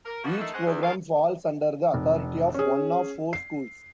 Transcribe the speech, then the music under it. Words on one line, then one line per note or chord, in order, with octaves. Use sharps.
Each program falls under the authority of one of four Schools.
A#4
B2 F3 A3 A#3 F#4
D3 A3 A#3 D#4 E4 A4
G#3 C#4 C5 F#5
E2
D2 G#3 A4 A#4 F5
F1
C#4 G#4
C7